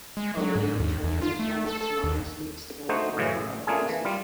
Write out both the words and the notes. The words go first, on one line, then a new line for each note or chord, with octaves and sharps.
A related term, used almost synonymously, is "technology valorisation".
G#3
F#3
G#2
D#2
E2
F4
A3
A4
A4
D#2
A3 D#4 F#4 C5
F#2 A2 C#3 E3
A1
A3 A#3 D4 F4 G#4 G#5
E3
G3 F4